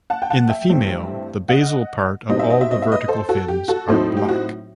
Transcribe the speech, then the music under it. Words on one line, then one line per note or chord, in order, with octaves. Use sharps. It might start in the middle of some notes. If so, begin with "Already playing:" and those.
In the female, the basal part of all the vertical fins are black.
F#5 A5
G5
F#5 A5
E5 G5
G2 E3 A3 C4
D#5 F#5
B2 G3 C4 D#4 D#5
E5
D#5
E5
D#5
E5
B4 D#5
A4 C5
F#4 A4
G4
F#4 A4
A2 F#3 C4 D#4 A4 C5
G4
F#4